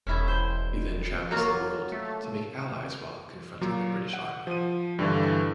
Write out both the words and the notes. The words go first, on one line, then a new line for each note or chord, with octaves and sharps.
He then travels the world to make allies while confronting the British Army.
E1 C#4 E4
C5
F#3 A#3 F4 F#4
A3
A#2 F#3
F#5
F3 D#7
G2 D3 E3